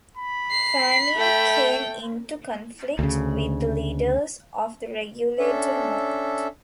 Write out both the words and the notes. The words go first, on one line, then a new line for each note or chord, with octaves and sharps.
Fanning came into conflict with the leaders of the Regulator movement.
B5
C7
A3 G5
D2 C#3
C#4 D4 A4 E5